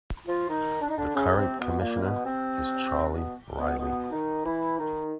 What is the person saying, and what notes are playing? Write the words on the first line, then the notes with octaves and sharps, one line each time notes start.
The current commissioner is Charlie Riley.
F3 F4
D#3 D#4
D4
D#4
D3 D4
C#3 C#4
C3 C4
B2 B3
A#2 A#3
B2 B3
C3 C4
B2 B3
B2 B3
B2 B3
D#3 D#4
E3 E4
D#3 D#4